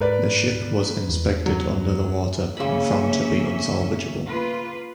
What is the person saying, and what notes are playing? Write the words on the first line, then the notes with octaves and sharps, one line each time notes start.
The ship was inspected under the water and found to be unsalvageable.
G#2 A#4 B4 D5
E2
F#3
C#3 A#3 C#4 E5 B5
A#3 F4 B4